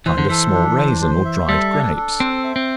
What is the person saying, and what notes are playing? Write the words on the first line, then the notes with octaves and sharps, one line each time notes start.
A kind of small raisins or dried grapes.
E3 C5
D3
E3 A4
D4
C5
C5
E5
G3 A4
D4
A4
C4 C5
E5
C4